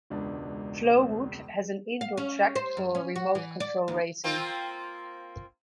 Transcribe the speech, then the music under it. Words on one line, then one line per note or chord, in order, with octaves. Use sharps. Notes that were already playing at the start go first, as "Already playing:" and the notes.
Flowood has an indoor track for remote control racing.
E1 C#2 D4
F5
C#4
C5
F#2
C#4
F#4
E3
D5
D#2
A#3 C4 F4